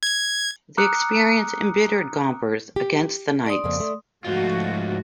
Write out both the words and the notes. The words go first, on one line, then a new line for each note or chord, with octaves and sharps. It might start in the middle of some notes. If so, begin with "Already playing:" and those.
The experience embittered Gompers against the Knights.
G#6
A#5 D6 D#6 F6 F#6 C#7
G4
D5 C6 D#6
F2 C#3 A#3
A3
G#2 F3 A3 F4 F#4